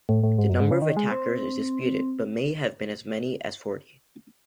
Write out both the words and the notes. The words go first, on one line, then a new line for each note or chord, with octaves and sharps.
The number of attackers is disputed, but may have been as many as forty.
A2
A2
G#2
F#2
G#2
C#3
D#3
G#3
C4